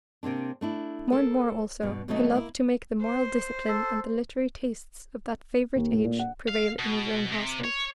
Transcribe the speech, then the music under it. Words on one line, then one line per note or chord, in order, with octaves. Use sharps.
More and more also he loved to make the moral discipline and the literary tastes of that favourite age prevail in his own household.
C3 A#3 C4 D4
A3 D4 E4
A4 A#4 C5
G2 B2
D#2 B2 F#3 A3 C4 D#4
A#3 E4
C5
A4
D#2
A2
A#2
F#5
F5
B2
C3
C#5